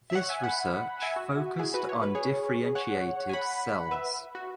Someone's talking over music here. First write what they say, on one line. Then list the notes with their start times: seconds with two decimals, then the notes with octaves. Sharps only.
This research focused on differentiated cells.
0.10 E5
0.15 C#5 F#5
0.29 E5 G#5
0.43 F#5 B5
1.02 E5 G#5
1.16 F#4
1.59 E4 G#4
1.74 F#4 B4
1.89 C#5
2.02 B4
2.15 G#4 C#5
2.75 C#5 F#5
3.29 G#5
3.33 F#5 B5
3.91 B4 E5
4.35 F#4